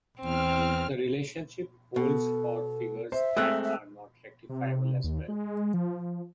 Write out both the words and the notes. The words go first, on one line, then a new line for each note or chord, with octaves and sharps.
The relationship holds for figures that are not rectifiable as well.
E2 C4 F6
B2 A4
C5 E5
G#3 A3 C4 E6 F#6
E5
C3
D#2
G#3
F3